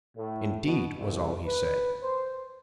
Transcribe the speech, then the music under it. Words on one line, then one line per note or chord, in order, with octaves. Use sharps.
"Indeed!" was all he said.
A2
B2
C2
B4
C5